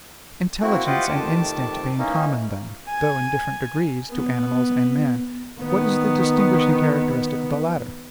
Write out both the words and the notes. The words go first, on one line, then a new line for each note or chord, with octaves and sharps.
Intelligence and instinct being common, then, though in different degrees, to animals and man, what is the distinguishing characteristic of the latter?
A#3 C4 E4 F#4
F4 G4 C5 D#5 F#5 D6
F2 C3 D#3 A3 A5 D6
E3 A#3 C#4 D#4
G#5
B3
D#3 B3